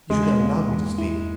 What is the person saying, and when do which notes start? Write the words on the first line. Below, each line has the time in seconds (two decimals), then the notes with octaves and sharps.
You should have allowed me to sleep.
0.10 E2 G#3
0.40 A#3
0.69 E2
0.98 E4